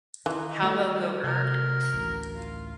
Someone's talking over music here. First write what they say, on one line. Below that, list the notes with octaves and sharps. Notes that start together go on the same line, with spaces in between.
How about go earn it?
D#3 E3 D#4 F4
D#3 G3 A3 F#4
C3 A#4
A1 D2
F4